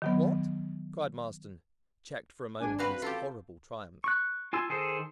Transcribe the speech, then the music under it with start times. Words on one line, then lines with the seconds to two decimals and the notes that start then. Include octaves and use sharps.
"What?" cried Marsden, checked for a moment in his horrible triumph.
0.02 D#3 F#3 B3
2.59 G#1 D4 G#5
2.79 C4 F#4 B4 F5
3.02 F4 G4 A4
4.04 C#6 F#6
4.53 F4 G#5 A5 C6 E6
4.69 D#3 G#4 A4 C5